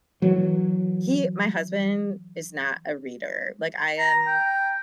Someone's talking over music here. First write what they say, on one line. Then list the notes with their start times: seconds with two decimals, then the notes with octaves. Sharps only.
He my husband is not a reader. Like, I am
0.22 E3 F#3
3.98 A#5
4.27 G5